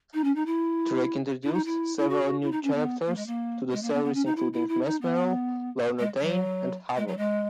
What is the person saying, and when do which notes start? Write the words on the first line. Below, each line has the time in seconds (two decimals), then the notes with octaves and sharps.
Drake introduced several new characters to the series including Mesmero, Lorna Dane, and Havok.
0.13 D#4
0.24 C#4
0.35 D#4
0.46 E4
1.43 E4
1.54 D#4
1.65 E4
1.97 E4
2.09 F#4
2.24 F#4
2.42 E4
2.51 D#4
2.63 C#4
2.74 B3
3.06 A#3
3.16 G#3
3.26 A#3
3.72 G#3
3.82 A#3
3.93 B3
4.04 B3
4.14 C#4
4.25 D#4
4.36 E4
4.53 E4
4.68 E4
4.85 D#4
5.01 B3
5.99 G#3
6.20 F#3
6.96 G#3
7.07 F#3
7.17 G#3